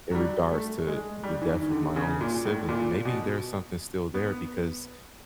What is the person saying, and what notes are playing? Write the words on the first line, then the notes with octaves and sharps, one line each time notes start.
in regards to the death of my only sibling. Maybe there's something still there," because,
F#3
G3
A3
G#3
G3
E3
D#3
D#3
D3
C#3
A#2
A2
A#2
B2
B3